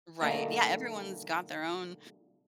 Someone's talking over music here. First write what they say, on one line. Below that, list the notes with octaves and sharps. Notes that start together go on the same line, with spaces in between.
Right, yeah, everyone's got their own
B1 D3 A3 A#3 D#5 A#5